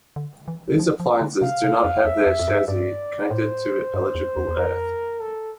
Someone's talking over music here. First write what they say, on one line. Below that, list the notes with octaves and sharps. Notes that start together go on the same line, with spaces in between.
These appliances do not have their chassis connected to electrical earth.
D3
E3
F3
F3
D3
C3 F5
C3
F2
E2 E5
F2
F2
G2
G2 D5
A2 C5
G2
E2
E2
E2
F2 A#4
A4